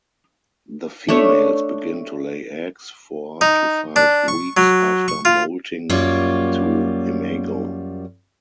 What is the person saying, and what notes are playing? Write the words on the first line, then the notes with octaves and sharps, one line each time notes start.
The females begin to lay eggs four to five weeks after moulting to imago.
A3 D4 C#5
D#4
D4
C#6
F#3
C#6
F4
F#2 G3 A#3 F4 C#5